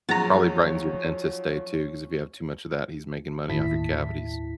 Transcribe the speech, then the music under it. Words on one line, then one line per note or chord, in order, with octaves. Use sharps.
Probably brightens your dentist's day too, 'cause if you have too much of that he's making money off your cavities.
F3 F#3 G#3 C#4 D#4 F#5 A#5 A6
G1 D#2 A2 E4 A5 B6